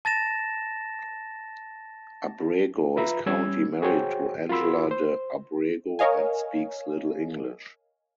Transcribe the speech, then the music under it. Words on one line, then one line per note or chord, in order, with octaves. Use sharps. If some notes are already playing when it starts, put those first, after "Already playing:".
Abrego is currently married to Angela de Abrego and speaks little English.
A5 A6 A#6 E7
F4 B4 E5 A#5 B5
G3 C#4 E6 G#6
F#4 G#4 C5 C#5 G5
F4 F#4 A#4 B5 C6 E6
C5
A#4 C#5 D#5 F5 G#5